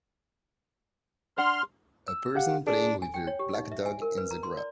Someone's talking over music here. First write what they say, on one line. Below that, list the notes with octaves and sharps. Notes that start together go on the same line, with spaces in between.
A person playing with their black dog in the grass.
D4 F#5 C6 F6
E6
G4 F5 F#5
D4 G#4
G#5
G5
C#5
G4
D#4
E5
G#5
A#4
B4
A#5
C6
D5